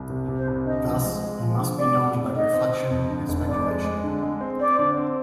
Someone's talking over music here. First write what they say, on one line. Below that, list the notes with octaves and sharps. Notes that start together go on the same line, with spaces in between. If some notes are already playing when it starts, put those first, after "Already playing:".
Thus, He must be known by reflection and speculation.
Already playing: C2
C3
C3
C5
C2
D3 D#5
F3
G#3
G#3
F3
D3
G#3 D5
C3
C3
D#3 D#5
C4
C4
F2
D3
F1
F2 D5
G#3
G#3
D3
G#3
C4
C4 D5
D3
C4